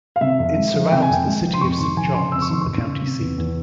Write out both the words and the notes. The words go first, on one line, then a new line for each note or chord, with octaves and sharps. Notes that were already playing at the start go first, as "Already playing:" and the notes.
It surrounds the city of Saint Johns, the county seat.
F5
C3 E5
F2
G#3
F3
C3 G5
G#5
F2 G5
G#3
F3
C6
F2 C#6
F1 C6
F1 G#5
C#3 C6
F2 E6
C#6
F1 C6
C#6
F1
C#3
C3
E2
E2